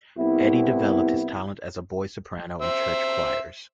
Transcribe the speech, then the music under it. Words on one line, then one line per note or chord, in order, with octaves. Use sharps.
Eddy developed his talent as a boy soprano in church choirs.
C2 B3 E4
C5 E5